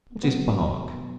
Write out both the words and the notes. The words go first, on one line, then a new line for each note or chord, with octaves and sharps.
What is Bark?
B2 F#3 B3